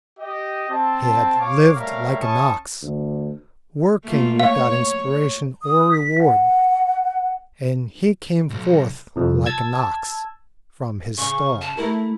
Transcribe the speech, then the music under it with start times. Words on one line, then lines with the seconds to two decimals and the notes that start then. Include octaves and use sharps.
He had lived like an ox, working without inspiration or reward, and he came forth like an ox from his stall.
0.19 G4 D#5
0.69 C4 A5
1.39 C#5 F5 D6
1.75 G3 A3 A#4 C#5 E5 F5
2.20 C#4 E4 C#5 A5 C#6 D#6
2.82 D2
4.04 A3 A#3 F4
4.40 C#5 F5
5.63 D#6
5.92 B6
6.19 F#5
8.50 B1
9.16 C2 F2
9.46 A5 E6 G#6
11.18 C#3 C#6
11.61 A5
11.77 A3 E4 A#4